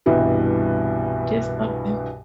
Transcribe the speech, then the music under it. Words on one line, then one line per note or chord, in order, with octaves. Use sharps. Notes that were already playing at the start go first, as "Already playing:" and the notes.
just something
C2 G2 B2 E3 G3